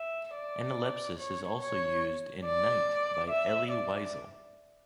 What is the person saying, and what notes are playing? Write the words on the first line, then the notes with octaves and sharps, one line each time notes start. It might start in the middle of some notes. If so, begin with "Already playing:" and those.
Analepsis is also used in "Night" by Elie Wiesel.
Already playing: E5
D5
C#5
C#5
D5
E5
D5